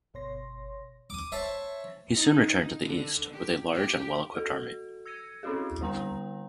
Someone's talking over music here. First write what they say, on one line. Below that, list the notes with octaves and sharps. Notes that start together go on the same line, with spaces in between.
He soon returned to the east with a large and well-equipped army.
G1 B2 C#5 C6 A#6
D6 D#6
C5 C#5 E5 A5
D#4
D3
G4
G4
F#4 A4
E6 G#6 A#6 C#7 D#7
C4 C#4 E4 F#4 G#4
D3 G3 D4 G5 A#5